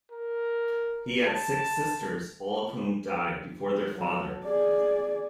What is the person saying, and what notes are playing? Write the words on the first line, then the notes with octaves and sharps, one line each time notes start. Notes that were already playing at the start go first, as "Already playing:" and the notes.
He had six sisters, all of whom died before their father.
A#4
A5
F#3 A4
G#4 D5